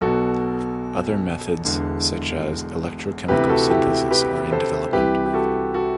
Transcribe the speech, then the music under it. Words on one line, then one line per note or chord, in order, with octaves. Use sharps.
Other methods such as electrochemical synthesis are in development.
B1 B2 F#4 A4
E1 E2 D3
D2 C3 E3 G4 B4
F#4 A4
E4 G4
G4 B4
A4 C5
C2 C3 E3 G4 B4
G4
F#4 A4
F#4 A4